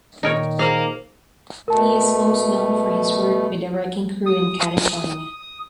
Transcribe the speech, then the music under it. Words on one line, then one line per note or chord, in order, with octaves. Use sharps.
He is most known for his work with the Wrecking Crew in California.
A#2 D#3 D#4 A#4 C#5
A#3 G#4 A#4 C5 F5
B2 A3 A#4 A5
D#6